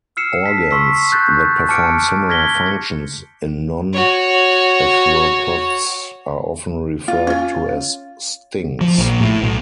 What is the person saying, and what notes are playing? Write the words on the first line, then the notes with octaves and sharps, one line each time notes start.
Organs that perform similar functions in non-arthropods are often referred to as stings.
E6 F6 C7 C#7 E7
A5 B6 C7
C6 C#6 E6 B6
C#6 F#6 G6 A6
A5 D6 F6 C#7 D7
F6 G#6 A#6 B6 G7
F#4 C#5
F4
C#4 F4
F3
A#1
A2
B1